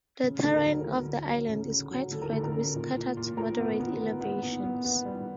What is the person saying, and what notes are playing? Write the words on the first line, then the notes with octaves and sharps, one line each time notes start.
The terrain of the island is quite flat with scattered moderate elevations.
C#3
D2 A4
A#4
F#3
D2
F#3
F#3
C#3
C#3
F#3
D2 A4
A#4
D2 A4
A#4
C#3
A#2
A#2
A#2
A#2 A#4
B3
B3
B3
B3
B3
B3
B3
G3